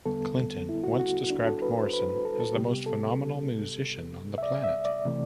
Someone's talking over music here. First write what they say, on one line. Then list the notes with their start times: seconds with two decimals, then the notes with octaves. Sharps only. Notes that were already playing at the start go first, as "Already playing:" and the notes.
Clinton once described Morrison as the most phenomenal musician on the planet.
0.06 E2 D3 G3 B3 A4
0.69 E4
0.84 F#4
0.99 F#4
1.30 D4
1.46 A4
1.62 B4
1.78 C5
1.93 B4
2.09 B4
2.25 A4
2.40 A4
2.55 C3 G3 B3 G4
2.86 A4
4.38 E5
4.43 D5
4.64 E5
4.85 D5
5.05 C3 E3 A3